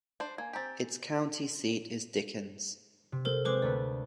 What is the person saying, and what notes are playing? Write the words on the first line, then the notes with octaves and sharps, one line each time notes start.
Its county seat is Dickens.
D4 C5
A#3 G#5 G#6
C4 G4 G#5 A#5 A6
C3
A4 A#4 C5
G#3 C4 B4 C5 D6
D2 A3 B4 D5